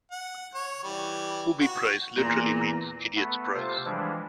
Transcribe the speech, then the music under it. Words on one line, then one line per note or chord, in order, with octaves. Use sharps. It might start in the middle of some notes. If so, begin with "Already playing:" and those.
Booby prize literally means "idiot's prize".
F#5
C#5
E3 G3
F#4
E2 A#2 A#5
A3 B3
C3 F4 A4 C5
E3 F3 G3 G#3 D4